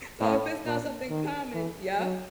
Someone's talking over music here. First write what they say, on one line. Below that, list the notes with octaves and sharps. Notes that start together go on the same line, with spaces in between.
So, if it's not something common Yep,
A2
A#2
D#3
E3
F#3